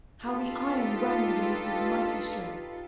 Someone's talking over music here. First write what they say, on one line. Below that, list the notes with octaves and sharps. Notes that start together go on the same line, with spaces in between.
How the iron rang beneath his mighty stroke!
D4 D#4 F4 G4 A4 B4